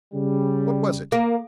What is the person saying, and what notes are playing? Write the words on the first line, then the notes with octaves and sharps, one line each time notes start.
"What was it?"
C#3 G3
A#3